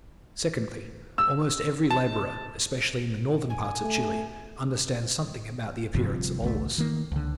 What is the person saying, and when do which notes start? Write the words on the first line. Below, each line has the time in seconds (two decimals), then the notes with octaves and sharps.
Secondly, almost every labourer, especially in the northern parts of Chile, understands something about the appearance of ores.
1.18 E6
1.91 A5
3.49 G#5
3.82 A3
5.94 G1 G2 C3 F3
6.42 G#1 C#2 A3
6.78 D#3 A#3
7.12 C#2 D3